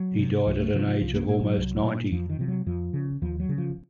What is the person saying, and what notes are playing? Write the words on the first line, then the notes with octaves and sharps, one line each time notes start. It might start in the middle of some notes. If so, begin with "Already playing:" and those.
He died at an age of almost ninety.
Already playing: F#3
C3
C2 F3
A3
C3 F3
F3
C2 F3
A#3
A#2 A#3
F#3
C2
A#2
F2 F3
D#3
C3 F3
F#3
F2 F3
C#3
D#2 F3
F#3
C#3
F3